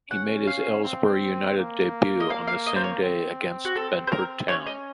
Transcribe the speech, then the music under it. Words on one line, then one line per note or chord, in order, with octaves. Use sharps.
He made his Aylesbury United debut on the same day against Bedford Town.
C#4 F#5
F5
C4
A#3
D#5
A#3 F5
F5
D#5
C5
C#5
C4
F#4
C4 A4
C5
A#4
C#4 C#5
D#5